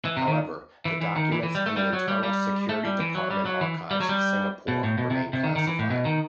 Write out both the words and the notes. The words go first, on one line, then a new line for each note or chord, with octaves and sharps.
However, the documents in the Internal Security Department archives of Singapore remain classified.
E3
C3
D#3
E3
E3
D#3
E3
E3
G3
A3
G3
F#3
G3
G3
A3
G3
E3
F#3
G3
F#3
E3
G3
F#3
G3
B2
A2
B2
C3
C3
D#3
D#3
E3
A2
B2
D#3